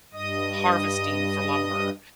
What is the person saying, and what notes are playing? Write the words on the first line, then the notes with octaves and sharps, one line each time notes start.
harvesting for lumber.
G2 D#5 D#6